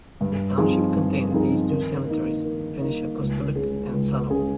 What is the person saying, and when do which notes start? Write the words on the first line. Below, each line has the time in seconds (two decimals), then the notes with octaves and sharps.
The township contains these two cemeteries: Finnish Apostolic and Salo.
0.21 G2
0.58 F3 C4 D#4 G#4
0.95 G2
1.31 F3 C4 D#4 G#4
1.69 D#3
2.06 A#3 D#4
2.44 D#3
2.81 A#3 D#4
3.18 C#2
3.56 C#3 G#3 C#4 G#4
3.92 C#2
4.29 C#3 G#3 C#4 G#4